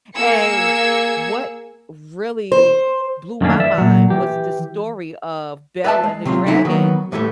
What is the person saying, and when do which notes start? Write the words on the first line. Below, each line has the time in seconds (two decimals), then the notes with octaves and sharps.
and what really blew my mind was the story of Bel and the Dragon,
0.15 A#3 G#4 E6 G#6 C#7
2.52 C5
3.41 F#2 D#3 A3 A#3 C#4 D4
3.59 E3 D5 E5
3.78 A#2 F#3
4.10 E3 G4
5.84 B4 D5 E5 G#5 A5
6.04 G#3
6.25 C3 F#3 C4 F4
6.46 D3 E3 F#3 D#4 E4
6.65 D#3 F#3 A#3 B3
7.12 A2 E3 F#3 G3 A3